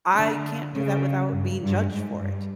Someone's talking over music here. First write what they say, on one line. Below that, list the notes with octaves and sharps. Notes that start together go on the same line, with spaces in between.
I can't do that without being judged for it.
D3
C#3
G2
G2
G#2
G2